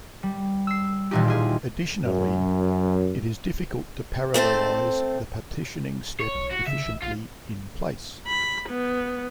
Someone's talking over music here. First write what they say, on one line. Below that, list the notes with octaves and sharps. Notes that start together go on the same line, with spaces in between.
Additionally, it is difficult to parallelize the partitioning step efficiently in-place.
G3
E6 C7
D#1 A1 A#2 D#4 G4
F4 G4 G#4
F#2
A3 C4 A4 C5
C#5
B1
E1 F#4
C#3 E5
A1
A#1 F4
B5
B3